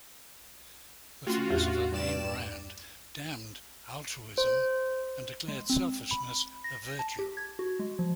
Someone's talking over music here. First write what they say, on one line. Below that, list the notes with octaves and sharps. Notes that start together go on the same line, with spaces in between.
The philosopher Ayn Rand damned "altruism" and declared selfishness a virtue.
A3 C#4 F4 F#4
E2 A2 G4
G2 D5 E7
C5
G#3
C4
B5
A#6
A5
G4
G#6
F#4
G#3
F3